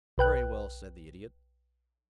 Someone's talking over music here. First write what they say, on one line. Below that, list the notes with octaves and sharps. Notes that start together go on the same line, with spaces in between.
"Very well," said the Idiot.
B1 B4 G5 F#6